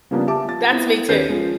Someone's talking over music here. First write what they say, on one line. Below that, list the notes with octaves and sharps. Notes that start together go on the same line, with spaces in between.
That's me too.
C#3 F3 G3 A#3 B3 D4
G4 E5 A5 D6
F3 A6
B3 C4 E4
D#2 C#4 G4 B4 G6 C7
F3 G#3 C#4